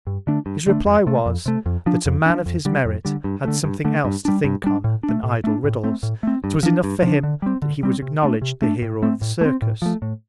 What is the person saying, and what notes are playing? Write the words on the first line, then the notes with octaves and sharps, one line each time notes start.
His reply was, that a Man of his Merit had something else to think on, than idle Riddles; 'twas enough for him, that he was acknowledg'd the Hero of the Circus.
G2
D3 A3 D4
G2
D3 A3 D4
F2
C3 A3
F2
C3 A3
F2
F3 D4
F2
F3 D4
F2
D3 G3
F2
D3 G3
G2
D3 A3
G2
D3 A3
G2
G3 D4
G2
G3 D4
A2
D4
A3
A2
A3 D4
A2
A3 C4
A2
A3 C4
G2
F3 D4
G2
F3 D4
D3
G3 C4
D3
G3 C4
C3
A3 D4
C3
A3 D4
A2
A3 C4
A2
A3
C4
A2
F3 A3
A2